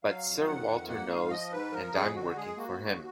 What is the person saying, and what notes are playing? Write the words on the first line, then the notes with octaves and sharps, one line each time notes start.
But Sir Walter knows, and I’m working for him.
F#3 F5
F2
D#3 F#5
F2
A#3 F#5
G#2 F5
F3 D#5
G#2 B4
F3 A#4
F2 G#4
D3 F#4
G#3 G#4
A#3 F#4
D#2